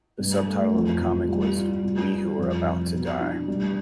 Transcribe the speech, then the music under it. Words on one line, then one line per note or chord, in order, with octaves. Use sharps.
The subtitle of the comic was "We who are about to die".
G2
A3
F2
F3
G3
F4
G3
F4
F2
F3
B2
D4
G3